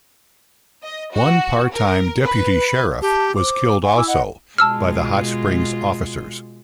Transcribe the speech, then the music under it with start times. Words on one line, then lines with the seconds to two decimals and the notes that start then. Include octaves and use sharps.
One part-time deputy sheriff was killed also, by the Hot Springs officers.
0.83 D#5
1.13 F#4
1.73 A#4
2.25 B4
3.02 G4 A5
3.35 C5 D6
3.83 F#5 G#5
3.96 E4 D6 E6
4.08 D#5 F#5
4.58 B2 G#3 F4 A5 E6 F6